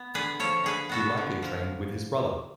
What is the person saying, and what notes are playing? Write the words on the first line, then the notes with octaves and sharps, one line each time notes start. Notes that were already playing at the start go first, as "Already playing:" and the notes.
He likely trained with his brother.
Already playing: B3
D3 G#4 B4
F3 A4 C#5
D3 G#4 B4
B3 F#4 A4
D3
F3